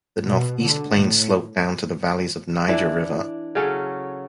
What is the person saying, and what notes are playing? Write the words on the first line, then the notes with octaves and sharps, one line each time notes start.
The northeast plains slope down to the valleys of Niger river.
B2
D3
A2
E3 D4
C#3 F#3 C#4 A4